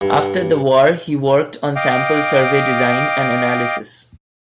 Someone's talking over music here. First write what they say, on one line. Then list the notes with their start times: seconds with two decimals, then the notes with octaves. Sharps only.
After the war he worked on sample survey design and analysis.
0.01 G2
1.76 D#5 F5 G5 D6